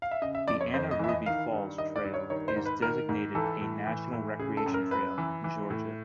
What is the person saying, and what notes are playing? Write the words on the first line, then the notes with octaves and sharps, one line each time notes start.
The Anna Ruby Falls Trail is designated a National Recreation Trail in Georgia.
F5
E5
C#3 D#5
E5
F2 D5
C#5
F2 C5
D#5
E3 E5
D#5
D#3 F5
G2
D#3 D#5
D5
G2
C#5
D#3 C#5
C5
G#2
B4
D#3 A#4
G#2
E3 A4
A2
E3
A2
C#3 G#4
A4
F#2
A#4
F#2 B4
E3
E3
A2